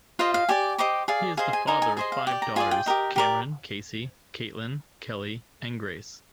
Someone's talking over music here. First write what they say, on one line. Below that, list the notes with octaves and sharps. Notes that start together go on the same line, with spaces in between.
He is the father of five daughters; Cameron, Casey, Caitlin, Kelli and Grace.
F4 C5 D#5 F5
F5
G4 D5 G#5
G4 C5 D#5 D6
G#4 D5 F5
G#4 C5 D#5 F5
G#5
D#4 A#4 D#5 G#5
G#5
G#4 C5 D#5 G#5
F5
G4 D5 G5
A#5
F4 G#4 D5 G#5
G5
G4 A#4 D#5
G4 A#4 D5